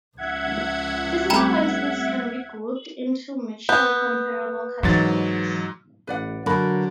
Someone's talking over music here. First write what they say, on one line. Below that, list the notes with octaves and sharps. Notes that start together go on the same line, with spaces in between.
Physical quantities can be grouped into mutually comparable categories.
C#2 F3 E5 F#5 G#6
G3 A3 C4 G5 A#5 B5
B3 G6
G#2 E3 F#3 A6
A1 B4 D5 F#5
D3 F#3 F#4 A#4 B5